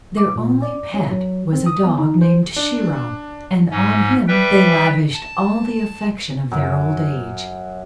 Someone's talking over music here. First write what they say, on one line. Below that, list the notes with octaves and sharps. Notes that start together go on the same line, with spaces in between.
Their only pet was a dog named Shiro, and on him they lavished all the affection of their old age.
D6
A#2
D5
C#4
F#3
C4
D#6
B3
D#4
C5
D4
G#2 C#4
G3 B4 E5 G5
A5
F#2